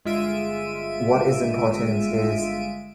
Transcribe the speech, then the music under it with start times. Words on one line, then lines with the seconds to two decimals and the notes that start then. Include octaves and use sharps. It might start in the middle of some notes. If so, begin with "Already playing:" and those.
what is important is
0.05 G1 G#3 F4 E5 D7 D#7